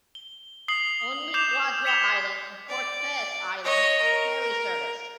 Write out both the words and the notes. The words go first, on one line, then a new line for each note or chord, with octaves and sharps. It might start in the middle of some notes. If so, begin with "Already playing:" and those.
Only Quadra Island and Cortes Island have ferry service.
G7
D#6 C7 F#7 G7
D6 G6 C7 E7 F7
G#6 B6 C#7 E7 F7 G7
D5
C#5 D#5
A#4